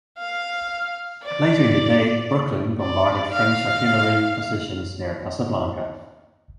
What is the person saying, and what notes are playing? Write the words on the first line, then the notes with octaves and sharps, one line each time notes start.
Later in the day, "Brooklyn" bombarded French artillery positions near Casablanca.
F5
D5
D5
F5